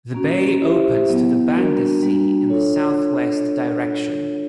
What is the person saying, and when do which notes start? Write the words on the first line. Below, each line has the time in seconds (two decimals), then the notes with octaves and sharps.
The bay opens to the Banda Sea in the southwest direction.
0.14 A#3 C#4 F#4
0.61 E4 G4 C5 E5
1.09 F#3 B3 E4
1.55 G3 A#3 D4 F#4 A#4
2.02 G3 A#3 D4 F#4
2.50 D4 F4 A4 C#5